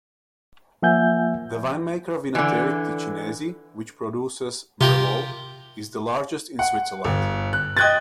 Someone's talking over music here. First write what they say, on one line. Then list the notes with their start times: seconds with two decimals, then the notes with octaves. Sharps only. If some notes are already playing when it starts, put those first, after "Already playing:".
The winemaker Vinattieri Ticinesi, which produces merlot, is the largest in Switzerland.
0.82 F3 A#3 E5 F#5 G#5 G6
2.35 D3 E3
4.81 C3 F4 G4 A#4
6.59 F#5
7.04 G1
7.53 F#6
7.77 D#5 G5 F#6 G#6 A6